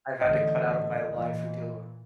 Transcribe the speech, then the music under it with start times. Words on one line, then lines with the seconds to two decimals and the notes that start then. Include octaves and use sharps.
I had to cut out of my life who do
0.21 A1 A2 D3 D#5
1.14 A#2 E3